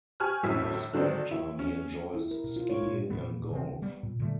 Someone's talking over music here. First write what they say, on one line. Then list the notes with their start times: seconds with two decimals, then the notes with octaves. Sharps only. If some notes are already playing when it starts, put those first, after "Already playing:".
In his spare time he enjoys skiing and golf.
0.20 G4 G#5 C#6 F6 F#6
0.43 G1 A2 F#3 E4 E6 B6
0.93 D3 D#3 F#3 C4 D4
1.31 E4
1.59 C#4
2.14 E4
2.31 A#4
2.44 B2
2.56 F4
2.69 C#5
2.83 A#2
3.10 A#2 F3 B3
3.51 C3 D#3 C4
3.82 G3 B3
4.03 A#2
4.20 A#2 D3 G3 A3